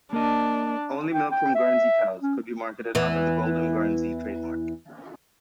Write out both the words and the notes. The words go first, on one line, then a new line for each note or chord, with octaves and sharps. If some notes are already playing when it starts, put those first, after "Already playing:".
Only milk from Guernsey cows could be marketed under the Golden Guernsey trademark.
A#3 D4 A#4 D#5
G5
G5
E5
C#4
E2 E3